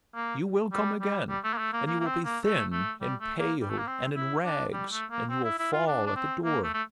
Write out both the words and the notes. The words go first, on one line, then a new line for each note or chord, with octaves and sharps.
You will come again, and you will be thin and pale and in rags, and you will fall at the door.
A#3
G3
G3
G3
A3
A#3
A3
A#3
A#3
A#3
C4
A#3
A3
A3
G3
A3
A#3
G3
A3
A#3
C4
E4
D4
G3
A3
A#3
C4
E4
E4
F4
D4
D4
C4
A#3
A3
A3